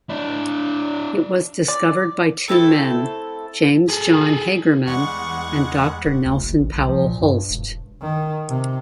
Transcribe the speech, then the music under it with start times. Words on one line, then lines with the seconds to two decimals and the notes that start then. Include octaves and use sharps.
It was discovered by two men, James John Hagerman and Doctor Nelson Powell Hulst.
0.09 D4 E4
1.68 D5
2.48 A3 C4 E4 A4
3.89 G#4 A4
4.87 E2 G3 G#3 F#5 C#6
6.05 D1
6.25 D2
6.43 F#1
6.61 A1
6.75 C2
6.88 F3
7.05 A#2
7.20 G2
7.50 E1
8.01 D#3
8.49 C3